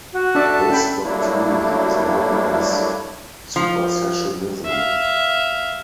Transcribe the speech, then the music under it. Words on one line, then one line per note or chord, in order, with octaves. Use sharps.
This doctrine is known as Supersessionism.
F#4
D4 A4 D5 E5 A5
C#4 G5 B5
F#3 G3 A3 A#3 D4 E4
F3
E5 F5